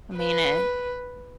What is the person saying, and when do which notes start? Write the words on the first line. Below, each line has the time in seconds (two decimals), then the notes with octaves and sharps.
I mean it
0.16 B4